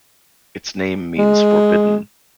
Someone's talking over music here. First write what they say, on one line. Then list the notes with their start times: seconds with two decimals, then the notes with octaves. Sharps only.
Its name means "forbidden".
1.18 G#3